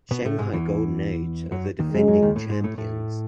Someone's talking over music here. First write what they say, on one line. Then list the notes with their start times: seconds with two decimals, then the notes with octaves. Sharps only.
Shanghai Golden Age are the defending champions.
0.11 B2 B3
0.25 A2 A3
0.39 G#2 G#3
0.53 E2 E3
1.51 F#2 F#3
1.79 D#2 D#3
1.94 F#2 F#3 G#3
2.07 F#2 F#3
2.22 D#2 D#3
2.36 A2 A3
2.49 G#2 G#3
2.64 A2 A3
2.78 A2 A3